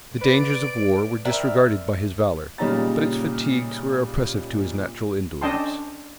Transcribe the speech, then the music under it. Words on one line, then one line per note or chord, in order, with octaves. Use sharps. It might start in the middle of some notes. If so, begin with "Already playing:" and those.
The dangers of war were disregarded by his valor; but its fatigues were oppressive to his natural indolence.
B4 D5 D7
A#4 C5 D5 E5 G5 A#5
A#2 C#3 G3 D#4 A#5 A6
C#4 D4 D#5 G5 A5 C6